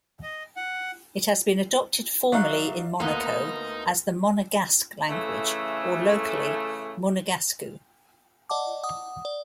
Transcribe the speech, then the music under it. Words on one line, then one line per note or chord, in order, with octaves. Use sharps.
It has been adopted formally in Monaco as the Monegasque language; or locally, "Munegascu".
D#5
F#5
F#3 D#4 D5 E5 F5
D2 A#3 B3 D#4
C#3 E3 A3
D5 D#5 F#5 A5 D6
F#5 D#6
D5